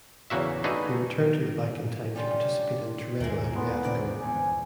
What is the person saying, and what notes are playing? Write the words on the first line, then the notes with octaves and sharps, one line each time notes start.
He returned to the bike in time to participate in Tirreno-Adriatico.
E2 C#3 A#3 F#4 E5
A3 D4 D#4 F#4 G#4 B4
G3 C#4 D4 F4 G4
D#2 A#2 G#3 E5
B2 B3 C6
D3 D#3 C4 D5
G1 E2 C5 G#5